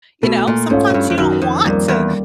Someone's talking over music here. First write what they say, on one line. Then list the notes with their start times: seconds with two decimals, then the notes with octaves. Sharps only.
you know, sometimes you don't want to
0.23 B2 A3
0.47 A#2
0.70 G#2 C#4 F4 A4 C#5
0.90 G#2
0.94 G2
1.10 F2
1.17 F#2 D#3
1.42 F2
1.65 F2 G3 A#3
1.88 E2